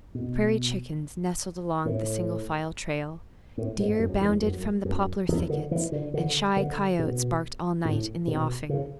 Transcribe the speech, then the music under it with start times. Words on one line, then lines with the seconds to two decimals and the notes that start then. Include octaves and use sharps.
Prairie chickens nestled along the single-file trail. Deer bounded from the poplar thickets and shy coyotes barked all night in the offing.
0.15 B2
1.85 A2
3.58 A2
3.79 G#2
3.99 F#2
4.21 E2
4.42 F#2
4.85 F#2
5.28 E2
5.50 D3
5.71 E3
5.92 D3
6.14 D3
6.56 D3
6.99 B2
7.85 A2
8.27 B2
8.69 C#3